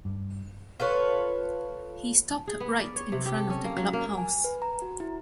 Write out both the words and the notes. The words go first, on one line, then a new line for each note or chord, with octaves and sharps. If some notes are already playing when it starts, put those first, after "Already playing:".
He stopped right in front of the clubhouse.
G2
F4 A4 B4 C#5
G#4
B3
D5
C#5
C3
G4
A4
C#4
A#3
F#3
A#3
G#5
B4
A#5
F#4
E4